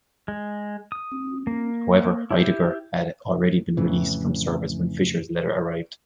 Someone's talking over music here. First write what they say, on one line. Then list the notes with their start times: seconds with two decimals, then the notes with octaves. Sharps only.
However Heidegger had already been released from service when Fischer's letter arrived.
0.28 G#3
0.92 D#6
1.47 A#3
2.31 E4 G4
3.77 F2 A2 C#3 E3